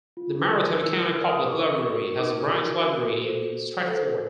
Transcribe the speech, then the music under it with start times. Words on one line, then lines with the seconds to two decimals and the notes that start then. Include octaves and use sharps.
The Marathon County Public Library has a branch library in Stratford.
0.17 F4
0.50 A#4 D5
0.83 F4 E6
1.07 F6
1.17 A#4 D5
1.29 D#6
1.46 D6
1.52 D#4 C#6
1.85 F#4 A#4 D5
2.19 D#4 D6
2.53 F#4 A#4 D5
2.87 F#4
3.21 A4 C5
3.54 F#4
3.88 A4 C5